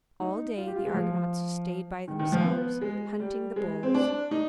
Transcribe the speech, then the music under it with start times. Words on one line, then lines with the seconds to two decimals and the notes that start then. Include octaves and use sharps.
All day the Argonauts stayed by themselves, hunting the bulls.
0.20 D#4
0.57 F4
0.67 G4
0.76 F4
0.85 G#3
0.94 F3
2.08 D#3
2.19 D#3
2.32 F3
2.44 B3
2.81 G#3
3.19 G3
3.56 G#3
3.83 C4
3.94 D4
4.31 D#4